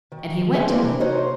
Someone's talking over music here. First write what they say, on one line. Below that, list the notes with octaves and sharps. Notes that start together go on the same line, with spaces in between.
And he went.
D#3
D2 C4 G#4 B4 D5 E5
E3 G#3 A#3 C4 D4 E4
C3
D#4 F#4 A#4 C5 C#5 D#5